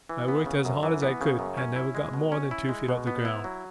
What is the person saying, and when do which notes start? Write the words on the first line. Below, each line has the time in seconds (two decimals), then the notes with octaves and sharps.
I worked as hard as I could, and never got more than two feet off the ground.
0.09 E3
0.28 B3
0.46 C#3
0.65 F#2
0.83 E3
1.02 B3
1.21 C#3
1.39 F#2
1.57 C#4
1.76 E4
1.95 G#3
2.13 B2
2.32 C#4
2.51 E4
2.69 G#3
2.88 B2
3.07 B3
3.25 E4
3.44 F#3